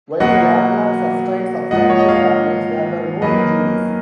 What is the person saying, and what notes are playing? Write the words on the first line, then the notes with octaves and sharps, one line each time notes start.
While the aircraft sustained substantial damage, there were no injuries.
B2 F#3 A#3 D#5 F#5
G#2 F3 A#3 D#5 F#5
C#5
D#5
C#5 F5
F#2 D#3 A#3 B4 D#5